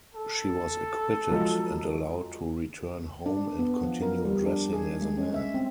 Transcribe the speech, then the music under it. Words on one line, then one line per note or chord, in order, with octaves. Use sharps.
She was acquitted and allowed to return home and continue dressing as a man.
A4
F3 F#3 G#3
D4
B3
F3
A#4
G3
D4
G#4
G#3
C#4
E5
C4